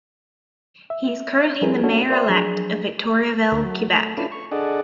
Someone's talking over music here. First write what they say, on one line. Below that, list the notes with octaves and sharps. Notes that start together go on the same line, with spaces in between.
He is currently the mayor-elect of Victoriaville, Quebec.
E5
F3 G3 E4 G#4 A#4 B4
B3 C#4 D4 F#4 A4 C#5
A#4 C5 D5 E5 G5 C6
F3 F#3 D4 G#4
D2 A#3 A#4
F#3
A3
C#4 D4 E4 F4 A4 B4
C#6
D4 G#4 A4 D5 D#5 F#5